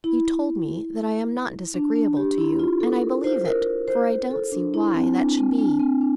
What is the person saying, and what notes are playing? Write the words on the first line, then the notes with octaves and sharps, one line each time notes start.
You told me that I'm not disagreeable to you, and I believe it; for I don't see why that should be.
E4
D4
D4
G4
E4
F4
A4
A#4
C5
A#4
C5
A4
D4
E4
C4
D4
C4
D4
C4
D4